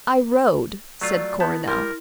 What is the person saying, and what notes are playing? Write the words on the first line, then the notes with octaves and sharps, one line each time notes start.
"I rode," said Coronel.
F#3 A3 F4 D5
B3 E4 A5 G6
G3 A#4 C6